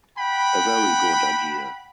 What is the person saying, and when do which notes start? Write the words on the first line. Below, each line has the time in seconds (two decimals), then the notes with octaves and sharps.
A very good idea!
0.17 F#5 G5 B5